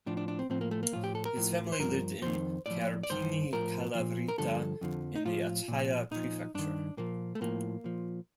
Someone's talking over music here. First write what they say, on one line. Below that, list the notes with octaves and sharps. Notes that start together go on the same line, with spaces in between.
His family lived in Kerpini, Kalavryta in the Achaia prefecture.
A2 F3 D4
D4
D4
C4
A2 F3 C4
A#3
A3
A#3
A2 F3 F4
G4
A4
A#4
A2 F3
C5
G2 F3 A#4
F2 D#3 C5
A2 F3 D5
D5
G2 D#3 C5
A2 F3 A#4
A#2 F3
A#4
G2 D3 F3 A4
F2 D3 F3
D#4
A2 F3 F4
A#2 F3
A#2 F3 D#4
G2 D#3 D4
A#2 F3 A#3
A3
A2 F3 A#3
A#2 F3